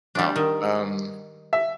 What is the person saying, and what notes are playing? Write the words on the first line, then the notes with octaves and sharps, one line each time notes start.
Wow, um
G3 D4
D#3
E5